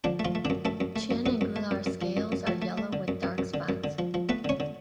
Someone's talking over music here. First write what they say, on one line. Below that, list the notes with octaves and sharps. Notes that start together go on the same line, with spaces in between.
Chin and gular scales are yellow with dark spots.
D3 F3 D4
A3
F3 F4
A3
D3 D4
F#2
F#2 A3 A4
F#2
A3
F#2
F#2 B3 B4
F#2
A3
F#2
F#2
F3
F#2
F#2
F3 A3 A4
A3
A3
D3
F#2
F#2
F#2
D3
F#2
D3
F3
F3
A3 B3 B4
D3 C#4 C#5
D3